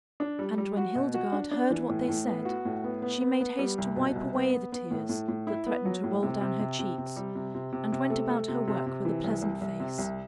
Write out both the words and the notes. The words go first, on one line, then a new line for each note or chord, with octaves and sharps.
And when Hildegarde heard what they said she made haste to wipe away the tears that threatened to roll down her cheeks, and went about her work with a pleasant face.
D4
G3
G3
F#4
B2
F#4
D4
D4
E3
A2
A2
B3
F#4
A2
B3
B3
B3
B3
G3
C2
B2
C2
B3
B3
B3
A2
A2
A2
E4
B3
F#3
A2
C3
C3
C3
C3
C3
G3
C3
C3
C3
C3
A3
A3
C3
C3
C3
E3
C2
C2
C2
C3
C2